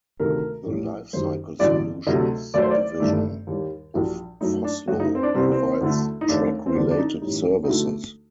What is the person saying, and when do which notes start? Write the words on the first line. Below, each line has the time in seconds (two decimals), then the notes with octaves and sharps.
The Lifecycle Solutions division of Vossloh provides track related services.
0.20 D2 C3 D#3 A3 A#4
0.66 A#1 A2 G3
1.13 F#1 F#2 D#3 G3 C5
1.59 A1 G2 D3 F#3 D5
2.07 D2 C3 F#3 A3 D#5
2.54 D#2 D#3 F#3 A3 D5
2.62 C5
2.71 D5
3.00 G1 G2 D#3 A3
3.47 D#2 D#3 G3
3.94 A#1 A#2 G3 F#4
4.41 F#2 F#3 A3 D#4
4.64 D4
4.88 F#2 F#3 A3 F#4
5.00 D#4
5.15 C4
5.23 D4
5.35 C2 C3 G3 C4
5.52 C4
5.81 D2 D3 A3
6.21 D#4
6.28 D#2 D#3 A3 D4
6.66 C4
6.75 D2 D3 G3 D4
6.91 D4
6.99 D#4
7.21 A1 A2 G3 D#4
7.64 D#4
7.68 D2 D3 A3 F#4